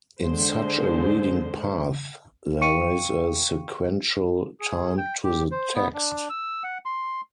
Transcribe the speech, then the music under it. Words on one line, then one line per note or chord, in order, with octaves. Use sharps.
In such a reading path, there is a sequential time to the text.
D3 G#3 C5
F5 G5 C#6 C#7 D#7
G#4
G5
G4
C5
B3
D4
E6
F#5
C6